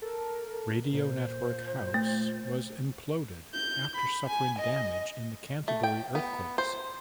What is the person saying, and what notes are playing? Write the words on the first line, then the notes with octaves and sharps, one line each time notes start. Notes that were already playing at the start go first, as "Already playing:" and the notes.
Radio Network House was imploded after suffering damage in the Canterbury earthquakes.
A4 A#4
A#2 C5
A3
G6
B5
G#5
D#5
A3
G5
B3
C5